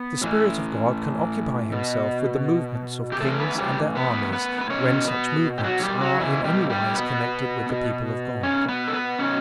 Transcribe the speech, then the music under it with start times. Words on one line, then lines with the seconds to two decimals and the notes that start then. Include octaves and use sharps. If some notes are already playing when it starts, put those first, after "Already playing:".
The Spirit of God can occupy himself with the movements of "kings and their armies," when such movements are in anywise connected with the people of God.
Already playing: B3 B4
0.22 A2 E3
1.72 B2
3.12 G4
3.21 A2 E3 A3 A4
3.40 B3 B4
3.58 G3 G4
3.95 B3 B4
4.33 B3 B4
4.61 B4
4.70 B2 C#4 C#5
5.07 B3 B4
5.58 G4
5.63 F#3 F#4
5.82 G3 G4
6.01 F#3 F#4
6.20 B2 E3 E4
6.44 G3 G4
6.70 G3 G4
6.95 B3 B4
7.69 B2
8.43 C#4 C#5
8.68 B3 B4
8.88 A4
8.93 B3 B4
9.18 B2 C#4 C#5